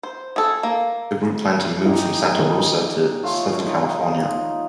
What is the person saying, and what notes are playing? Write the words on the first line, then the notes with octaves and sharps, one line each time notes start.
The group planned to move from Santa Rosa to southern California.
C5
G#4 A4
A#3
G2 D#4 E4 G4 G#4
D#3 E3
A3 F4 C#5
D#4